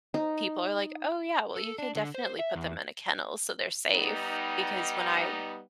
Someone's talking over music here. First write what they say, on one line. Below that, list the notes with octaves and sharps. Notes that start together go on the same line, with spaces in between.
people are, like, "Oh yeah, well you could definitely put them in a kennel so they're safe," because when I,
D#4
A4
D4
D3
C5
E5
E2
G3 B3 D#4